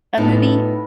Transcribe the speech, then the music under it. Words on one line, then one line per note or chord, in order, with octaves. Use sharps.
a movie?
A2 B3 D#4 F4 A4